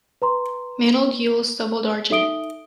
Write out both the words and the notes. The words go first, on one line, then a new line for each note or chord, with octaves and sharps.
Mantled gules doubled argent.
B4 A#5 C6
D#4 A4 E5 D#6 D7 G7